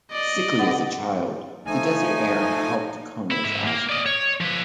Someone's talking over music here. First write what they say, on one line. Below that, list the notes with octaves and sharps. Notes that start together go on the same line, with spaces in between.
Sickly as a child, the desert air helped Kono's asthma.
D5 D#5
D3 B3
F3 A3 D#4 G#5
E4
G#2 E5
A#3
D5 D#5
C#5
F3 B4